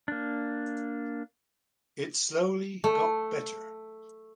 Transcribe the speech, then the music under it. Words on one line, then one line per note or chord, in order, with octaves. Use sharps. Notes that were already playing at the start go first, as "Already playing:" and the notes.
It slowly got better.
A#3 D4
A3